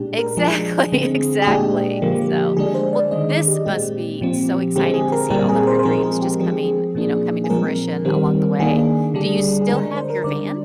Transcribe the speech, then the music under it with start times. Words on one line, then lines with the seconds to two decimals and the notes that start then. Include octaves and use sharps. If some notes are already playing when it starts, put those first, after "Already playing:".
Exactly, exactly. So, well, this must be so exciting to see all of your dreams just coming, you know, coming to fruition along the way. Do you still have your van?
Already playing: A#2 G#3 D4 G4
0.19 A#4
0.37 F3 G#3 D4 G#4
0.92 D3 G#3 C4
1.42 G#4
1.47 A#2 G#3 D4 G4
2.02 D3 F3 A#3
2.57 D3 G#3 D4 G#4
2.74 C5
2.93 D5
3.11 D#3 G#3 D4 D#5
3.29 D5
3.48 G4
3.66 A#2 G#3 C4 G4
4.21 A#2 F3 C4
4.76 D3 G#3 C4 G4
4.94 G#4
5.12 A#4
5.30 A#2 G3 C4 A#4
5.49 G#4
5.67 C5
5.79 C5
5.85 F3 G#3 C4 A#4
6.03 G#4
6.22 G4
6.40 F3 C4 G#4
6.95 A#2 F3 A#3 D4
7.44 G#4
7.50 A#2 F3 G#3 C4 A#4
8.05 D#3 G3 C4
8.59 D#3 A#3 D4 G#4
9.14 D3 G3 D4
9.62 G#4
9.69 D3 G#3 D4 A#4
9.96 C5
10.10 A#4
10.24 D3 G3 D4 D5